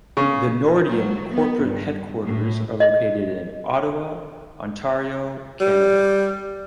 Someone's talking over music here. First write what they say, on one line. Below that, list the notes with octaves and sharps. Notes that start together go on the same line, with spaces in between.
The Nordion corporate headquarters are located in Ottawa, Ontario, Canada.
C#3
F#3
B3
G2
A2
D#5
G3